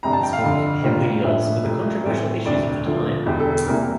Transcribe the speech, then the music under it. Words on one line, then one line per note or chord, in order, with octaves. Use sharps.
This book heavily deals with the controversial issues of the time.
G1 F2 C3 G3 A#5
A5
G5
F5
G1 F2 D3
A2 G3 A#3 D4 F4
A1 G2 F3 A3 E5
C2 C3 F3 A3
A2 E3 A3 C4
E1 D2 C3 D5
D2 D3 F3 A3
E1 E2 D3 G4
A4
A4
C2 C3 E3 G3 A#3 A#4